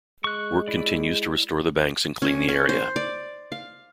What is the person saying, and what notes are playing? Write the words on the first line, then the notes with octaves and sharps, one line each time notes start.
Work continues to restore the banks and clean the area.
G#3 C#6 F#6
E4 D5
C#4
C#4
C5
D5
F5